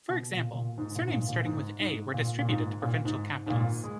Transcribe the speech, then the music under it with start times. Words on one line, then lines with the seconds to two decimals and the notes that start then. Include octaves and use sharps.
For example, surnames starting with "A" were distributed to provincial capitals.
0.09 B2
0.32 A#2
0.54 A#2
0.78 G#2
0.95 A#2
1.07 G#2
1.12 A#2
1.29 A#2
1.45 G#2
1.80 G#2
2.14 A#2
2.39 A#2
2.48 G#2
2.82 A#2
3.05 G#2
3.46 G#2
3.50 A#2
3.84 G#3